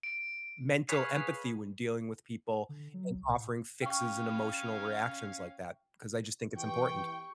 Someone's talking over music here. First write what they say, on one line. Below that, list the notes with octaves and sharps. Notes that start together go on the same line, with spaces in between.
m mental empathy when dealing with people, and offering fixes, and emotional reactions like that because I just think it's important.
D7
G#4 B4 C#5 F5
D3
F#3
C2
A2
C#4 F5 G5 C#6
E3 G4 G5 C#6